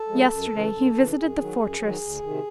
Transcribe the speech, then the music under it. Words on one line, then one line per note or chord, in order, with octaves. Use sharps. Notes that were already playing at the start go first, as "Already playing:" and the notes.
Yesterday he visited the fortress.
Already playing: A4
F3 G#3
F#2
C#3 E3
F#2
C#3 E3
A4
F#2 G#4
D#3 F#3
F#2
D#3 F#3
D2
C3 D#3